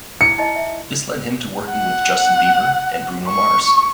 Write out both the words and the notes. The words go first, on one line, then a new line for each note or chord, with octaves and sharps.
This led him to working with Justin Bieber and Bruno Mars.
E4 C#7
D#4 E4 D#5
E5
F#5
C#6